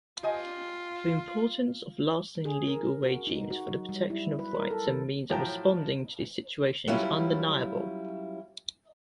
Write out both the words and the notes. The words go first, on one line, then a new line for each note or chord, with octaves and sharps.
The importance of lasting legal regimes for the protection of rights and means of responding to the situation is undeniable.
F4 G4 D#5 G#5
G#4
A#4
F#4
D#4
F#4
F#3
G3
E4
B4
A#4
A4
D#3
A2 F3 F#3 G5 A5 A#5
F#3 G3 C#4 E4 F4